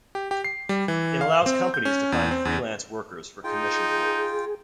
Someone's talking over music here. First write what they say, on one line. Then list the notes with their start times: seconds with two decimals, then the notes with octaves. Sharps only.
It allows companies to find freelance workers for commissioned work.
0.15 G4
0.31 G4
0.44 C7
0.69 G3
0.88 E3
1.21 F5
1.46 C4
1.74 G6
1.85 C#4
2.12 E2
2.31 C4
2.45 E2
3.44 D#4 F4 G#4 G5